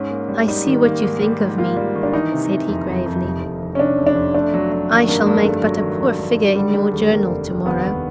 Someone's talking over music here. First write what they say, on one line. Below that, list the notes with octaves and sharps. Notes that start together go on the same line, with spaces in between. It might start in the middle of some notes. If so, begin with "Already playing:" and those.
"I see what you think of me," said he gravely--"I shall make but a poor figure in your journal tomorrow."
Already playing: G#2 C#4
A#3
G3
G3 D#4
D#3
A#3
G#2
G3
G#2
A#3 F4
G3
D#3
D4
E3 D#4
C3
C3
F2
F2
F2
F1
F2
F2
C#4
C3 D4
F2
D4
F2
A3 D4
F#3
F#3
D#3
G2 A#3
G2 A#3
G#3
G2 A3
F#3
D#3
G2
G2
D#3
D3 G3
G3 G#3
D#2 A3
G3 A#3
F1
D3
D#2 B3
D#2